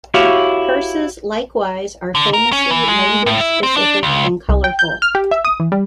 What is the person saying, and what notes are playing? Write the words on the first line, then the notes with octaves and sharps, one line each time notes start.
Curses likewise are famously language-specific and colourful.
E4 F#4 G4 C#5 F5
D3
A#4
C#4
E3
G#3
A2
E4
C4
D4
C#2
C2
G5
G6
F6
G4
E5
D#6
E3
G3